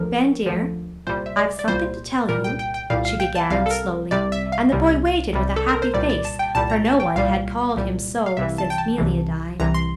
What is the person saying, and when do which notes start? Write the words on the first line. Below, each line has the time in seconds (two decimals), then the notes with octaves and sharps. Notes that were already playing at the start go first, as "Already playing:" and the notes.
"Ben, dear, I've something to tell you," she began, slowly; and the boy waited with a happy face, for no one had called him so since 'Melia died.
Already playing: D2 D3 F3 A#4
0.46 D2 D3 F3
1.07 C2 A#2 G3 C5
1.26 E5
1.37 D5
1.59 D5
1.68 C2 A#2 G3 C5
2.29 C2 A#2 G3 A#4
2.44 G5
2.59 G5
2.74 G5
2.90 C2 A#2 G3 F5
3.05 F5
3.20 G5
3.35 A5
3.50 C2 C3 G3 F5
3.66 A4
3.70 A#4
4.11 C2 C3 G3 D5
4.32 E5
4.52 F5
4.72 C2 C3 G3
5.33 C2 C3 G3
5.56 A4
5.69 A#4
5.82 C5
5.94 C2 A#2 G3 D5
6.09 D5
6.25 A5
6.39 G5
6.55 C2 A#2 G3 A5
6.70 A#5
6.85 A5
7.00 G5
7.16 C2 A#2 G3 F5
7.76 C2 A#2 G3
8.26 F5
8.37 C2 C3 E3 E5
8.58 A5
8.70 G5
8.78 A5
8.98 C2 C3 E3
9.60 C2 C3 E3 A#5
9.74 C6